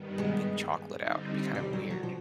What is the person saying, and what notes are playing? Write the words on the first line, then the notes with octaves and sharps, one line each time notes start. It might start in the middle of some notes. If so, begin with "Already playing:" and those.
pooping chocolate out? It'd be kinda weird.
Already playing: G2 D#3 G3 B3
G#3
D3 G3 C4 D#4
G3
F#3
F#3
F3